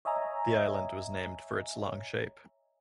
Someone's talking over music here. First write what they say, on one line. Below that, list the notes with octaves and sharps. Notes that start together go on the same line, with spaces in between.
The island was named for its long shape.
C#5 D#5 E5 G#5 A#5